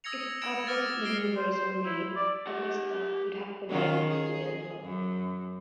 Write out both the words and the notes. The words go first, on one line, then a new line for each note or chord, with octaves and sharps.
If abrupt maneuvers were made, "Augusta" could have collided with the Delta.
D#6 E6 G#6 A#6 C#7 F7
G#6 C#7 D7 E7
D6 F6 A6
F6 C7 D7 G7
C5
E4
D5
G4 F#5
D#3 C#4 F4
G#4
F#2